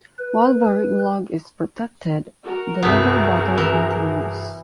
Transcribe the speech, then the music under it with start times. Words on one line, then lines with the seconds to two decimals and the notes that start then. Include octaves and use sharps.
While VarigLog is protected, the legal battle continues.
0.18 B4
2.44 F#4 A#4
2.83 G1 C2 B3 G#4
3.58 E3